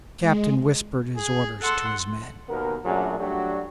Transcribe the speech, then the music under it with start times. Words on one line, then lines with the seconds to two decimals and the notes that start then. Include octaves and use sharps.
The captain whispered his orders to his men.
0.20 G#3
1.17 G#4
1.62 A4 F#5 C6
2.49 D#2 B2 B3 A#4
2.85 F#2 A#2 F#3 A3 D4 G#4
3.19 F#3 G3 A3 D4 F#4 G4